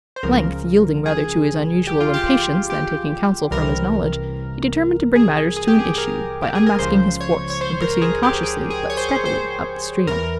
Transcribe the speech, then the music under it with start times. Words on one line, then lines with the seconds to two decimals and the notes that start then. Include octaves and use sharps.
At length, yielding rather to his unusual impatience than taking counsel from his knowledge, he determined to bring matters to an issue, by unmasking his force, and proceeding cautiously, but steadily, up the stream.
0.16 C5
0.23 C#2 C#3 F3 A#4
1.06 G#4
1.87 G4
2.00 F4
2.14 G4
2.28 F4
2.70 G4
3.51 C2 C3 E3 A#4
5.16 G#4
5.57 G#4
5.68 G4
5.79 G#4
5.98 A#4
6.42 G4
6.55 G#4
6.66 A#4
6.79 C#2 C#3 F3 C5
7.21 C#5
7.50 C#5
7.61 C5
7.82 A#4
8.02 G#4
8.23 G4
8.43 G#4
8.70 G#4
8.90 C#5
8.97 C5
9.25 C5
10.07 E2 E3 A#4